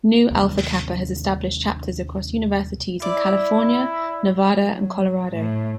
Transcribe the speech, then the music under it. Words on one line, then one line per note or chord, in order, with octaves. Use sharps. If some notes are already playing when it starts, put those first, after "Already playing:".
Nu Alpha Kappa has established chapters across universities in California, Nevada and Colorado.
D#2 C3 F#3 A#3
E4 D5
F#3
A2